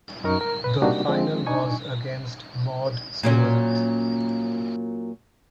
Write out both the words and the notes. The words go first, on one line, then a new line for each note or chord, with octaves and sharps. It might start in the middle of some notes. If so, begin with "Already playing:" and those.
The final was against Maud Stuart.
F#2 D#4 A#4 A#5 C#6 F6
A#4
B4
C3 G3 A#3 D4 D#4 F#4
F3 G#3 C4
D4 D#4 G#5 C#6
A#2 F#3 C#4